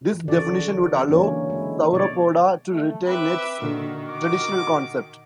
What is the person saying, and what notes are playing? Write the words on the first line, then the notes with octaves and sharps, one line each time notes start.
This definition would allow Sauropoda to retain its traditional concept.
E3
C#3 F#4 A4 D5
D3 E3 F#3 A#3 C#4
G#3 E4
B2 D3 C#5 D5
A3
C4 B4 E5 D6
A#2 D3 D#3 F#4
D6